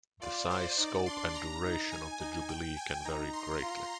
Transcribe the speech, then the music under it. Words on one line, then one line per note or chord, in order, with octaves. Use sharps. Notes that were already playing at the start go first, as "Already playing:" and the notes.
The size, scope, and duration of the jubilee can vary greatly.
F4 D5
C5
D#4 D5
D4 C6
A#5
D#4
G#5
D#4 G#5
G5
G#5
D#4 A#5
C6
F4